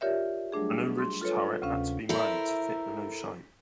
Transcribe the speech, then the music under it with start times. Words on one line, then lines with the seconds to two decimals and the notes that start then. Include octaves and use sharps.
A new ridge turret had to be made, to fit the new shape.
0.01 F4 G4 A#4 C#5 D5 E5
0.52 F#3 G3 A3 D4 G#4
0.98 C6
1.22 F4 A4 B4 C#5
1.62 D2 C3 C#4 F5
2.09 E4 A4 A#4 C5 E5